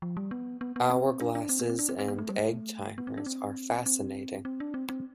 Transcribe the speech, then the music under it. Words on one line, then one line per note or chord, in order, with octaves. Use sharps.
Hourglasses and egg timers are fascinating.
F3
G3
B3
B3
B3
C4
D4
D4
C4
B3
C4
D4
C4
C4
B3
A3
G3
A3
B3
C4
D4
C4
C4
C4
D4
C4
C4